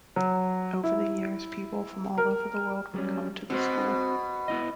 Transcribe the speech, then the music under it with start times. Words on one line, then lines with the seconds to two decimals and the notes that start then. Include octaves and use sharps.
Over the years, people from all over the world would come to the school.
0.16 F#3
0.84 E4
2.18 A#4
2.94 F#3 G3 C#4
3.50 B2 C4 F#4 C5
4.48 B3 E4 D#5